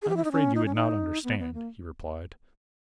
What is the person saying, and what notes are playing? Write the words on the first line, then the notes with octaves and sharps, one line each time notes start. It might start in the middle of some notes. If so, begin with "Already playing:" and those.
"I am afraid you would not understand," he replied.
G#4
G4
E4
D#4
C#4
D#4
C#4
D#4
B3
B3
A#3